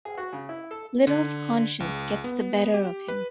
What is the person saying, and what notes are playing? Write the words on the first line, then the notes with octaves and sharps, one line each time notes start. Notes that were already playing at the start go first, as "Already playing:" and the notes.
Little's conscience gets the better of him.
G#4
F#4
C#3
E4
A4
D3
C#2
B3
G4
B4